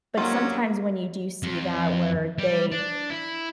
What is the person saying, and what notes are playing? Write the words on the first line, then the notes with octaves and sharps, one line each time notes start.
But sometimes when you do see that, where they
D#3 F#3 G3 A#3 C#4 F4 C5
F2
G3
D4
E4